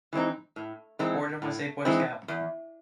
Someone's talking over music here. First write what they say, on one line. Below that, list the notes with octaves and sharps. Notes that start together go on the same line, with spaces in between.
Gordon was a Boy Scout.
E3 G#3 C4 D#4
A2
E3 G#3 C4 D#4
A2
E3 G#3 C4 D#4
E2